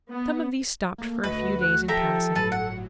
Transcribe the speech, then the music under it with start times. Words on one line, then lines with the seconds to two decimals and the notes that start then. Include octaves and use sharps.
Some of these stopped for a few days in passing.
0.10 B3
0.98 A3 A#3
1.24 D2 A3 F#4 B4 D#5
1.61 F#6
1.88 F3 G4 A4 E5 A#5
2.35 G1 A2 F#3 B4 A5
2.52 F#5